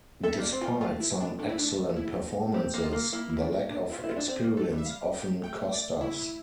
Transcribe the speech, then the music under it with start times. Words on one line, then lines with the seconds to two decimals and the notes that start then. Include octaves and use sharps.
Despite some excellent performances the lack of experience often cost us.
0.23 A4 E5
0.38 A#3 D5
0.52 C4
0.62 F4
0.66 G3
0.81 A3 F4
1.00 E4
1.20 D4
1.39 A3 D4
1.49 E4
1.58 D4
1.96 E4
2.54 C4 G4
2.74 A#3
2.84 F4
2.93 A#3
3.13 A#3 E4
3.30 E4
3.41 D4
3.70 D4
3.90 E4 F4
4.04 E4
4.09 F4
4.16 D4
4.28 C4
4.43 A#3
4.57 A3 A4
4.72 G3
4.78 E5
4.86 F5
5.15 G5
5.43 A3 G5
5.73 D5
6.01 E4